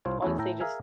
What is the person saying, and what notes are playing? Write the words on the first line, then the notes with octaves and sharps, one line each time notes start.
honestly, just
C2 C4 F4 C5 C#5 G5
E2 E3 A3 C#4 E4
A2 E4 A4 G5 A#5
G#4 A#4 E5 F5 G#5